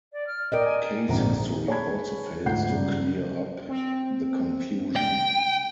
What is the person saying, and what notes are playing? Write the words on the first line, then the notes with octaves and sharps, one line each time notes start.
Case history also fails to clear up the confusion.
D5
F6
A#4 D5 D#5 G5
G#5
A#1 F2 G#2 D3 G#3 A#5
A4
G#4 C#5 G#5 A5 B5 G#6
D2 G#2 F4 F#5 G6 C7
G2 C#3
C4
G5